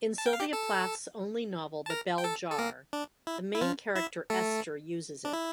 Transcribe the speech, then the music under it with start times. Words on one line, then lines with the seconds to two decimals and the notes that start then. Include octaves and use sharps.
In Sylvia Plath's only novel The Bell Jar the main character Esther uses it.
0.18 A5
0.26 G5
0.33 F5
0.40 G4 G5
0.53 A4 A5
1.86 A5
1.90 A#4 A#5
2.18 G5
2.24 A4 A5
2.51 A4
2.59 A#3 A#4
2.93 D4
3.27 E4
3.55 E4
3.61 F3 F4
3.95 E4 E5
4.30 A3 A4
5.25 D4
5.33 E4